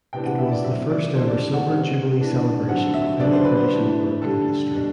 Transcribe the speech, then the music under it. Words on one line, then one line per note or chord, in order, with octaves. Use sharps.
It was the first ever Silver Jubilee celebration of any British monarch in history.
C3 E3 B3 D4 G5
F#5
E5
D5
A2 F#3 C4 E5
D5
A2 G3 D4 C5
D5
F#5
B2 G3 C4
E3 B3 D4
D3 F#3 C4 F#5
E5
D3 F#3 B3 D4 D5
C5
B4
C5
E3 A3 D4
D3 G3 D4 A4
B2 G3 D4